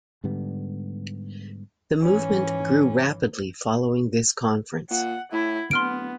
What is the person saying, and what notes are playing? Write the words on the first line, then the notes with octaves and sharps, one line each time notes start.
The movement grew rapidly following this conference.
G#2 D3 G3 B3
G#2 E3 C#4
A#2 F#5
A2 E4
D1 B3 C6 F6 D7